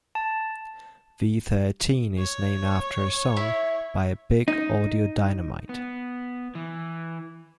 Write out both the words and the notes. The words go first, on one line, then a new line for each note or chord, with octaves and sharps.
V Thirteen is named after a song by Big Audio Dynamite.
A5
C#5
E4
D#4
B3
E3